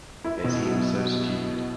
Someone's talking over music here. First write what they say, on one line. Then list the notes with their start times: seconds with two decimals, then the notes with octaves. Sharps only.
They seem so stupid.
0.24 E4
0.44 B2
0.65 F#3